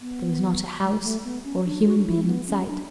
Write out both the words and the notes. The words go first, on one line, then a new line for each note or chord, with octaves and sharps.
There was not a house or a human being in sight.
B3
G#3
A3
B3
C#4
D4
F#4
D4
E4
C#4
B3
C#4
D4